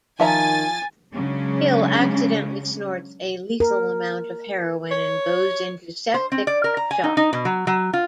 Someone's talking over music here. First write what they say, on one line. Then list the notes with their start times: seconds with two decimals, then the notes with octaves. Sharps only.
Hill accidentally snorts a lethal amount of heroin and goes into septic shock.
0.20 D#3 F3 E5 G#5 A#5 A6
1.14 C#3 F#3 G#3 C#4 D4
3.60 A#4
4.91 C#5
6.14 C5
6.32 C4
6.47 D5
6.64 A#4
6.77 A#5
6.91 G#5
7.04 D#4
7.17 D#4
7.33 B2
7.45 F#3
7.67 F#3
7.93 F4